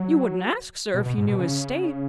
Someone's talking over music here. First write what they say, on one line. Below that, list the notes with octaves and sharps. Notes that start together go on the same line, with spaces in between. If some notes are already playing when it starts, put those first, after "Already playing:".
'You wouldn't ask, sir, if you knew his state.
Already playing: F#3
B2
B2
G#2
B2
C#3